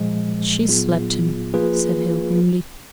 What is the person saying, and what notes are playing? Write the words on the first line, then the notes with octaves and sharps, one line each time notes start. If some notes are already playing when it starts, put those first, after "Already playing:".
"She slapped him," said Hale grimly.
Already playing: A#2 F3 G#3
A#2 F#3 B3 F4 G#4
F3 A#3 F4 G#4 B4